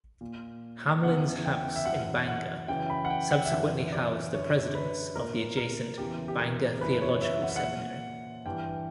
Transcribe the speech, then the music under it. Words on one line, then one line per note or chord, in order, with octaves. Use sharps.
Hamlin's house in Bangor subsequently housed the Presidents of the adjacent Bangor Theological Seminary.
A#2
E2 C#3 E3 F#5
G5
E5
F#2 E3 F#5
F#5
F#2 C#3 E3 G5
B5
F#5
G5
F#5
E5
F#2 E3 F#5
D5
F#2 D3 C#5
B4
A#2 A#4
A#4
E2 C#3 E3 G4
G4
A#4
F#2 C#3 E3 B4
C#5
E5
F#5
E5
F#5
A#2
G2 E3 G5